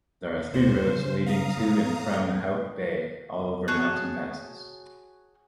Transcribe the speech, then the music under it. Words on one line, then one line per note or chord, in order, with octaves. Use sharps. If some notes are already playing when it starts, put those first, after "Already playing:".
There are three roads leading to and from Hout Bay, all over mountain passes.
D#2 A2 C5
C#3
F5 A#5 D#6
A2
F#4 G#4 C#5 A5